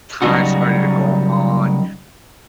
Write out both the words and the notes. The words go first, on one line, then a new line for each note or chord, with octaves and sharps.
time started to go on,
C#3 F#3 G3 D#4 F#4